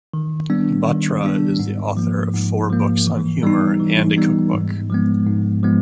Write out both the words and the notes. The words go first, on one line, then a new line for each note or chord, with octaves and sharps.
Batra is the author of four books on humor and a cook book.
D#3
G3 B3 D4
D#3
G3 B3 D4
G#2
F3 A#3
G#2
F3 A#3
E3
G3 B3 D#4
E3
G3 B3 D#4
G#2
F3 G#3 B3
G#2
F3 G#3 B3